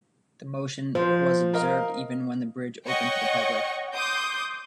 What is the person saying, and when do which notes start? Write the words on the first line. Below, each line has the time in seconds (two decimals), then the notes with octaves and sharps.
The motion was observed even when the bridge opened to the public.
0.95 F3 C5
1.54 A#4 D#5 F5
2.87 C#5 D#5 F#5 G5 C#6
3.95 C6 D6 D#6 G6